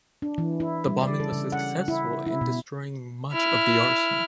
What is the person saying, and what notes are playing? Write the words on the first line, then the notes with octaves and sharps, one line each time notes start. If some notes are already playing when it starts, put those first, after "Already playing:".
The bombing was successful in destroying much of the arsenal.
D4
E3
E4
G3
D5
A4
C#3
F#5
E4
E4
B2
E4 F6